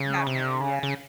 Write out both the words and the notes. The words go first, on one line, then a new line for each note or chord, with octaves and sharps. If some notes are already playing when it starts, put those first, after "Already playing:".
Batman, yeah.
Already playing: C#3
C3
C#3
C#3